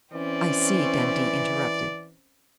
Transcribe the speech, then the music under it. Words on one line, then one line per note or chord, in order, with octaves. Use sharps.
"I see," Dundee interrupted.
E3 C4 C#4 D5